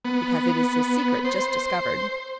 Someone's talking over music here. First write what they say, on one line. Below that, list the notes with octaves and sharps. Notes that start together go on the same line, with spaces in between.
"Because it is a secret just discovered."
B3
C5